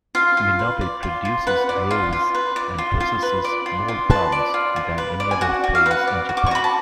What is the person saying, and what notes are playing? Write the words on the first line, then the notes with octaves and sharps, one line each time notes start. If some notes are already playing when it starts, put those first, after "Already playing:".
Minabe produces grows and processes more plums than any other place in Japan.
F4 F5
F4
B4
D5
F4
F4
B4 F#5
D5
F4
F4
B4
D5
F4
F4
B4
D5
F4
F4
B4 A5
D5
F4
F4
B4
D5
G#5
F#4 F#5
F#4
F5
B4
F#5
D5
F#4
D6
C#6
F#4 B5
A5